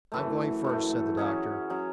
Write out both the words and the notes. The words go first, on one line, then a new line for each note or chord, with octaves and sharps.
"I'm going first," said the doctor.
F#2 E3 A3
F#2 E3 A3
F#3 C#4 G#4
F#3 C#4 G#4